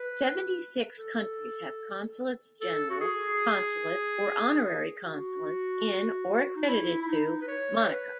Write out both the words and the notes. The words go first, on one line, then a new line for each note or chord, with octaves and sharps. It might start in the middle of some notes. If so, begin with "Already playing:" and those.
Seventy-six countries have consulates general, consulates, or honorary consulates in or accredited to Monaco.
Already playing: B4
A4
A4
F#4
G#4
F#4
D#4
E4
E4
D#4
B4
C#5
B4